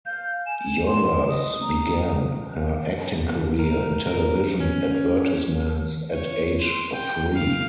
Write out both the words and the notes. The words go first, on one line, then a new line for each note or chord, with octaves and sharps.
Yothers began her acting career in television advertisements at age three.
F5 G6
G#5 E7
C6
D#5 D#6
A#5
A#4
A#4
C#4
C#5
C6
G5
F5